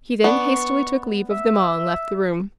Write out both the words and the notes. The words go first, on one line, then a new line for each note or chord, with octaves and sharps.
He then hastily took leave of them all and left the room.
B3 D4 C#6
E5